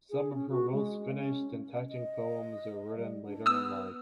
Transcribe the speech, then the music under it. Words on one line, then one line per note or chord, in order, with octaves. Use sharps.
Some of her most finished and touching poems were written later in life.
G#4
C#4
F#4
G#3
C#4
D#5
G3
D4
B3 D#6 E6